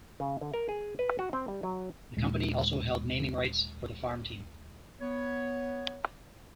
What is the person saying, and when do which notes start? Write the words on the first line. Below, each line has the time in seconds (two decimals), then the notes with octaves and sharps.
The company also held naming rights for the farm team.
0.20 C#3
0.41 D3
0.54 A#4
0.69 G#4
0.99 B4
1.19 F#4
1.33 C4
1.48 G3
1.63 F#3
2.17 D#2 A#2 G#3
5.00 B3 C#5